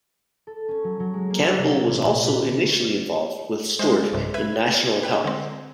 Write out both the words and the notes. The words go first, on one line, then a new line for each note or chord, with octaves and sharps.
Campbell was also initially involved with Stewart in National Health.
A4
C#4
F#3
F#3
G#3
A#3
C3
A1
A#2
B4
D3
C#4
G#3 C5 E5 C6
B1 G2 C3
B4 E5 B5 G#6
B4 G5
D3 G#3 C4